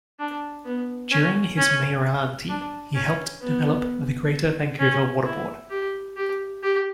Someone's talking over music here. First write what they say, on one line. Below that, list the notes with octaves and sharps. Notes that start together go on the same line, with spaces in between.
During his mayoralty, he helped develop the Greater Vancouver Water Board.
D4
B3
C#4
C#4
D4
C#4
B3
C#4
E4
G4
G4
G4